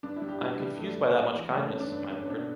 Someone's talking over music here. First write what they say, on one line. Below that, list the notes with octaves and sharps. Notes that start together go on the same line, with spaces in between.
I am confused by that much kindness, milord.
G2 D4
E4
G3
G4
G2 E4
G2 G3
G3 A3
G3
G3
E3
G3
G2 A3
C#4
G2
D4
G2
G2
C#4
B2 D4